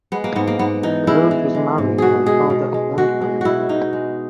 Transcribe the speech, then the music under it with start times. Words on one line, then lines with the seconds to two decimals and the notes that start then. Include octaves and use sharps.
Rohde was married and father of one child.
0.12 G#3 B3
0.24 A#3
0.35 G#2 B3
0.47 A#3
0.59 G#2 B3
0.83 E3 D#4
1.07 G#3 E4
1.31 E3
1.55 G#3
1.78 G#2
1.98 B2 F#4 G#4
2.26 G#3 G#4
2.50 B2
2.74 G#3
2.98 G#3 F#4
3.22 G#3
3.41 B2 E4 F#4
3.69 B2 D#4
3.93 G#3